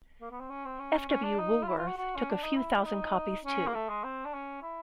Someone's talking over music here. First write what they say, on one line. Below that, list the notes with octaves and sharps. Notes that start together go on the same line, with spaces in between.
F. W. Woolworth took a few thousand copies too.
A#3
B3
C4
C#4
C4
C#4
C#4
D4
D#4
F4
E4
F4
F#4
F#4
C#4
D4
D#4
E4
E4
D#4
C#4
A#3
A3
G#3
C4
D4
C#4
E4